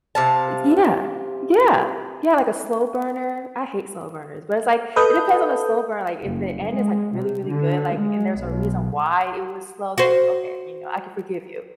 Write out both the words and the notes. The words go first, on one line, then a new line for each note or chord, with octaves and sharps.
Yeah. Yeah. Yeah, like a slow burner. I hate slow burners, but it's like, it depends on the slow burn, like, if the end is, like, really, really good, like, and there's a reason why it was slow, then okay, you know, I can forgive you.
C3 F5 A5
A4 B4 D#5 D#6 G6
F#1
G#3
C3
D3
G#3
B1
F#4 C5